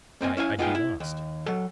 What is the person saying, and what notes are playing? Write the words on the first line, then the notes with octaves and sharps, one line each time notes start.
Why, I'd be lost.
A#3 C4 D#5 G#5
C#4 E4 F5 G#5
A#3 B3 D#4 F4 G#4 G5
E4
D#2
F#3 A4